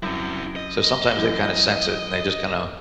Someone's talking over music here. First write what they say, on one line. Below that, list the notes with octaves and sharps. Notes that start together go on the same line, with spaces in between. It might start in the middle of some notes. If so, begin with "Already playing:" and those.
so, sometimes they, kinda sense it, and they just, kinda
F#2 C4 E4
D#5
F#2 E3